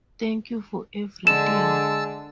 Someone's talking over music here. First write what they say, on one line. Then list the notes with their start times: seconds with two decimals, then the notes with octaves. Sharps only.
Thank you for everything.
1.27 D3 G#3 A5 E6 E7